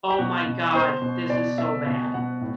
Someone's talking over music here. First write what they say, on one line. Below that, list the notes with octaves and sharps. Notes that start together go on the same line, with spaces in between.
"Oh my God, this is so bad."
G4
B2 F#4
B2
B2 C5
B2
B2 D5
B2 E5
B2
B2 F#5
A2